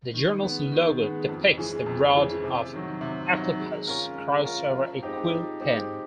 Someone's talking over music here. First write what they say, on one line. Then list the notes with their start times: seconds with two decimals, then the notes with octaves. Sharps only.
The journal's logo depicts the Rod of Asclepius crossed over a quill pen.
0.14 D#3
0.43 G#3 B3
0.72 D#3
1.00 G#3 B3
1.29 F2
1.58 C#3 E3 G#3
1.86 F2
2.15 C#3 E3 G#3
2.44 C3
2.73 D#3 F#3
3.01 C3
3.31 D#3 F#3
3.59 G#3
3.88 C#4 F4 A#4
4.16 G#3
4.45 C#4 F4 A#4
4.74 F3
5.03 G#3 C4 D#4 G4
5.31 F3
5.60 G#3 C4 D#4 G4